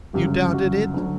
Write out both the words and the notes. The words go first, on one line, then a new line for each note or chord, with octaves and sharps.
"You doubted it?"
G1 F#2 C#3 F#3 G4
F#4
D2 D3 F#3